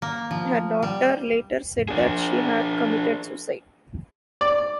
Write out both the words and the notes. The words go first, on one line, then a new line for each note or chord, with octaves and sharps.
Her daughter later said that she had committed suicide.
A#3
F3
G3
D4 G#4
D5